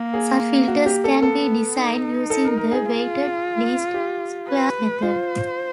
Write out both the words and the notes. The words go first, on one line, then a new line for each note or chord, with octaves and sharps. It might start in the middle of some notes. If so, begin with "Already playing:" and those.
Such filters can be designed using the weighted least squares method.
Already playing: A#3
G#4
F#4
G4
A4
B3 A4
D#4
A4
A#4
A#4
G#4
F4
G4
B4
F4 C5